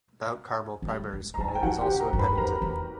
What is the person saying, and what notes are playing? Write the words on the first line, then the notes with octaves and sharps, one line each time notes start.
Mount Carmel Primary School is also in Pennington.
G#3
G3
G#3
A#5
G3
A5
G#5
G5
F3 F#4 F#5
G4 G5
C#3
A#4 A#5
G2
B4 B5
F2 A#4 A#5
E2